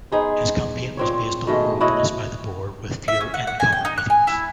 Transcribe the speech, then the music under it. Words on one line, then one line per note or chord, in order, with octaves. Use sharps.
His campaign was based on more openness by the board with fewer in-camera meetings.
B3 D#4 G#4 C5
A#2 C4 C#5
B2 D#3 G#3 A3
E4 F#4 C#5 D#5
E5
C#4
F#5
F#5
G#5
G5
D#4
F#6
G#5
E4